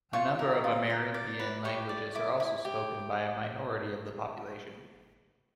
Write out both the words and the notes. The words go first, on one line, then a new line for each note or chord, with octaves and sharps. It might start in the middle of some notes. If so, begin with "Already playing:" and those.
A number of Amerindian languages are also spoken by a minority of the population.
F4 C#6
A#4
F4
A#4
D5
B4
G4 C#6
D5
E4 D6
E4
G4